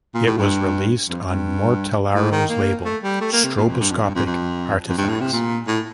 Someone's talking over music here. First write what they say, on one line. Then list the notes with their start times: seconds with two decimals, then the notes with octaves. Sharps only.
It was released on Mortellaro's label Stroboscopic Artefacts.
0.14 A#2
0.27 A2
0.38 G2
1.09 F2
1.27 G2
2.15 A2
2.32 D#3
2.50 A#3
2.85 A3
3.03 G3
3.21 A3
3.33 A#3
3.44 C3
3.56 A#2
3.68 F2
3.80 G2
3.91 F2
4.03 G2
4.15 F2
4.26 F2
4.88 F2
4.98 G2
5.09 A2
5.21 C3
5.33 A#2
5.67 A2